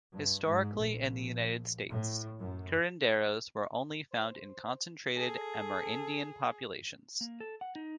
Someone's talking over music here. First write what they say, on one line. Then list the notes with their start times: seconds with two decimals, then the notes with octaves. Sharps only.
Historically, in the United States, curanderos were only found in concentrated Amerindian populations.
0.13 G2
0.45 G#2
0.77 A#1
1.90 A2
2.41 F#2
4.12 C5
5.17 G#4 A4
7.21 A#3
7.40 A4
7.61 F#5
7.75 D#4